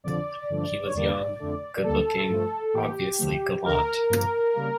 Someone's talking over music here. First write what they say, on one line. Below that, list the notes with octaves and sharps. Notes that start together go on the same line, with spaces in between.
He was young, good-looking, obviously gallant.
F2 D3 F3 D5
G2 D3 F3 A3
C#5
E2 D3 G3 A#3 D5
F2 D3 A3
D2 D3 G3 A#3 A4
G2 F3 A3
A2 E3 A#3 G4
D2 D3 F3 A3
D2 D3 A3 A#4
G2 F3 A#3
C#3 G3 A#3